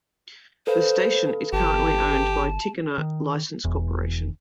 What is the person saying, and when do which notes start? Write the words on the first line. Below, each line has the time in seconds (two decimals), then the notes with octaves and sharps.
The station is currently owned by Tichenor License Corporation.
0.67 A4 B4 C5 F5
1.53 G1 G4 A5
2.98 D#3
3.64 E1 E2